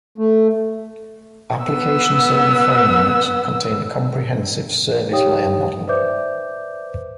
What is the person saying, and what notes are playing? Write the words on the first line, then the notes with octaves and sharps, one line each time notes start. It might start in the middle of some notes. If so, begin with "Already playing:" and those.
Application Server Frameworks contain a comprehensive service layer model.
A3
B3 E6
D#4 G4 C#5 F5 G5 D#6
B4 C5 D5 E5 D6 G6